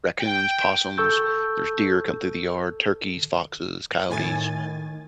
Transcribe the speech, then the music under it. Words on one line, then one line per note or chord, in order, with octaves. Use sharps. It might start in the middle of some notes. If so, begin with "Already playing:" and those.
raccoons, possums, there's deer come through the yard, turkeys, foxes, coyotes,
G5
A4 A5 C#6 E6 G6
A2 D#3 G#5 A6